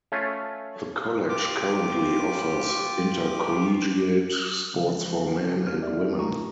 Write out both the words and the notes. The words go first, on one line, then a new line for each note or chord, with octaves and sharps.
The college currently offers intercollegiate sports for men and women.
A3 C#4 F4
F4 G4 D6
C#3 E3 F3 G#3
C#2 F6
G4 D5 E5
G2 A3 D#4 F4 A#5 C#6